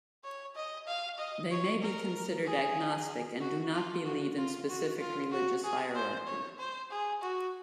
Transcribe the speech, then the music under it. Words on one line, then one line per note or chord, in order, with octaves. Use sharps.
They may be considered agnostic and do not believe in specific religious hierarchy.
C#5
D#5
F5
D#5
C#5
A#4
G#4
F#4
F4
F#4
F4
F#4
F4
F#4
G#4
C5
C#5
C5
G#4
F#4